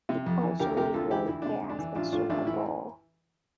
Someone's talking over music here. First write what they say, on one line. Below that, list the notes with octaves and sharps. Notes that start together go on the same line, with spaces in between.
It also regularly airs the Super Bowl.
C3
F2
E3
D2 G4 A#4
C3 G4 A#4
D2 F4 A4
E3 E4 G4
D2 E4
C3 D4
D2
D4
E3
A1 D4 F4
A2 D4 F4
A1 D4 F4
E3 E4